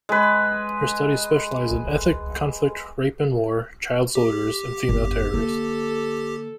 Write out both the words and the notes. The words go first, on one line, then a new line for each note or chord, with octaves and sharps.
Her studies specialize in ethnic conflict, rape in war, child soldiers, and female terrorists.
G#3 B4
G4
G1 F2
D3 A#3 A4